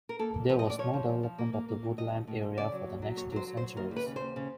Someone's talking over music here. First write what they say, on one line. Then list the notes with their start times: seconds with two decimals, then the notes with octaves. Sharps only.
There was no development of the woodland area for the next two centuries.
0.09 A#4
0.19 A#3 A4
0.34 A#3
0.49 F3 B4
0.59 D#5
0.64 A2
0.70 D5
0.78 F3 C#5
0.93 F3
1.09 F3
1.23 F3
1.38 A#3
1.53 A#3
1.68 A#3
1.83 A2
1.98 A2 D#5
2.12 F3
2.27 A2
2.43 F3
2.57 C#3 D5
2.72 F#3
2.87 D#2
3.02 F#3
3.17 D#2 C#5
3.32 F#3 C5
3.47 F#3
3.57 C5
3.62 F#3
3.76 D#2 A#4
3.91 D#2
3.96 B4
4.06 C#3
4.16 D#2 C5
4.36 C#3